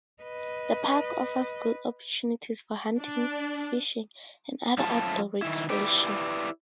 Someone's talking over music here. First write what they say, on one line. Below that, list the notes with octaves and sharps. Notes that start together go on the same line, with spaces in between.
The park offers good opportunities for hunting, fishing, and other outdoor recreation.
B4 D#5
D4
F#2 F3 E4 A4 A5
D#3 E3 E4
E4 G4 B4 D5